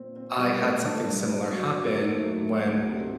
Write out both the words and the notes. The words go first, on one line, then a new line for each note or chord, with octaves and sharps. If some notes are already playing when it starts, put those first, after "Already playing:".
I had something similar happen when
Already playing: A#2 C4
C4
G3
A3
D4
G2
D4
F#3 F#4
F#2
A#3
D#4
A3
F#3
F#3
D2
C3